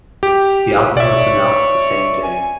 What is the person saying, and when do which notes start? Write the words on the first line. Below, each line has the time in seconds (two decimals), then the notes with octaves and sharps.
The album was announced the same day.
0.23 G4
0.97 C#5 D5 E5
2.23 G#5